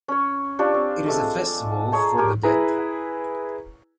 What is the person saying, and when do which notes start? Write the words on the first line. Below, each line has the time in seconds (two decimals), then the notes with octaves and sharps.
It is a festival for the dead.
0.08 C#4 C#5
0.59 D4 F4 G4 C#5
0.74 C4
1.06 G#3 A3 C4
1.92 G#4 C#5 A5 A#5
2.18 G4 A#4 G#5
2.43 E4 G#4 B4 G#5 A#5